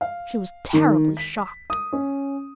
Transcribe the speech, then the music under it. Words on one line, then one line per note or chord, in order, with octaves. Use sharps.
She was terribly shocked.
F5
D#3
B6
D#6
C#4